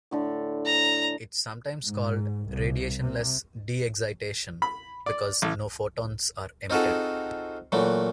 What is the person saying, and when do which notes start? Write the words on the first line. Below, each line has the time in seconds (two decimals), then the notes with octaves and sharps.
It is sometimes called "radiationless de-excitation", because no photons are emitted.
0.11 A2 D3 A4
0.66 A#5
1.87 G#2
2.48 C2
3.01 C3
4.62 B5
5.06 D5
5.42 A1
6.70 C4 D#4 F4 F#4 G#4 A4
7.72 A#2 E3 F#3 A3